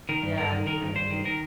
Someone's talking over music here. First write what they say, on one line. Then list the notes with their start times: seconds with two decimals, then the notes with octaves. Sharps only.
Yeah, they really do.
0.09 D#3 A#4
0.22 G2
0.37 G2 A#4
0.52 D#3
0.66 D#3 A#4
0.82 G2
0.96 G2 C5
1.11 D#3
1.25 D#3 A#4